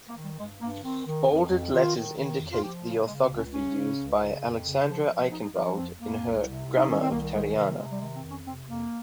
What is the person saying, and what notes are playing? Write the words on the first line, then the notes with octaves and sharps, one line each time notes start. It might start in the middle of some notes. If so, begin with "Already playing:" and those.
Bolded letters indicate the orthography used by Alexandra Aikhenvald in her "Grammar of Tariana".
A#3
D#3
G3
G2 G#3
G2 A#3
D#3 C4
D#3
F2
F2
D#3 F4
D#3
D#3
F2
F4
F3 G4
C#3 F4
C#3 G#3
C4
C#2
C#4
C#3 C#4
C#3
C#2
C#3
F2
C#3
F3
F3
F2 D#4
D#4
F3 F4
C#4
F2 C4
F2 A#3
C2
C3
C2
D#4
D#3 C#4
C4
C2 A#3
D#3 G#3
C3
C3 G#3
G3
D#3 G#3
C4
F2
C#4
C3 C4
F2 A#3